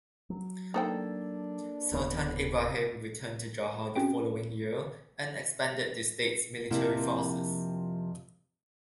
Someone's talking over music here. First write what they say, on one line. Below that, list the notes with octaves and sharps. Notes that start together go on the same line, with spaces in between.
Sultan Ibrahim returned to Johor the following year, and expanded the state's military forces.
F#3
A#3 D4 D#4 A4 C5 G5
D1 B3
C4 C#4 F#4 G#4 G5 D7
F2 C3 F3 A#3 E4 F4